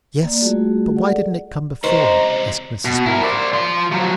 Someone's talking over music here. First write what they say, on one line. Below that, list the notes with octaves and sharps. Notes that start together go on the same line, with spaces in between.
'Yes; but why didn't it come before?' asked Mrs Boffin.
A#3 D5
G3 A3 F4 F#4 G#4
G#4 A4 D5 F#5
C#2 C3 C5 D#5 A#5
B2
E4 A#4
C5 D5
F3 C6
F3 F#3